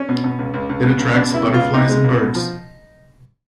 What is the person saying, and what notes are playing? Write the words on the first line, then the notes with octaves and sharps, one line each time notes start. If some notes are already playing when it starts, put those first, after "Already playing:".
It attracts butterflies and birds.
Already playing: C#4
B2
B2
C#2
C#2
C#2
B2
C#2
B2 D4
C#2 E4
B2
C#2 F4
B2 D#4
G#3
C#2
B2
F3